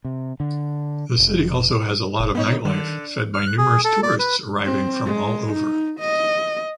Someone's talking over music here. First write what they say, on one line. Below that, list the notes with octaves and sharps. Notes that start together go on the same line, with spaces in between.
The city also has a lot of nightlife fed by numerous tourists arriving from all over.
C3
D3
F1
F#1
A#3 B3 D#4 C#5
D3 D#3
F6
F#6
G#4
A4
D5
B4
C4
G#3
D#4
D#5